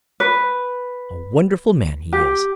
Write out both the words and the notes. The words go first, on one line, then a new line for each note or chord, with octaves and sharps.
A wonderful man he is.
B4
G4